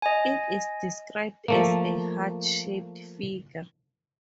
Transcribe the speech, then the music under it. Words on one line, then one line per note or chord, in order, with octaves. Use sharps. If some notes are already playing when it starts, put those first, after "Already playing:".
It is described as a 'heart-shaped' figure.
D#5 G#5
F3 A3 A#3